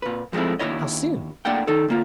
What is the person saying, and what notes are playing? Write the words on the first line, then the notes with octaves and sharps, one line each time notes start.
"How soon?"
A#2 B4
F3 G#3 A3 C4 E4
D#2 E3 D4 E4 C#5 D#5
A2 A#3 D4 F#5 G5
D#3 D#4 A4
D2 A#3 F4